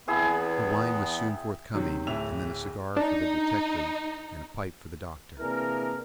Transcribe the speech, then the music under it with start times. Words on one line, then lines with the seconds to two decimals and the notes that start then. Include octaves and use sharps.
The wine was soon forthcoming and then a cigar for the detective and a pipe for the doctor.
0.08 E2 B3 C4 E4 G#4
1.74 C3 D#3 F#3
2.07 D1 A2 E5 F7
2.97 D4 D#4
5.39 C3 E3 A#3 D4 G#4 A#4